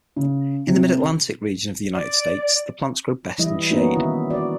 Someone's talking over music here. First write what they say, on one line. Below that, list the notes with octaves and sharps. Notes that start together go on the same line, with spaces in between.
In the Mid-Atlantic region of the United States, the plants grow best in shade.
C#3
C3
D5
E3 G3 E4 D#5
A#3 B3 C#4 D#4 F#4
D#3 E4
F#4 D5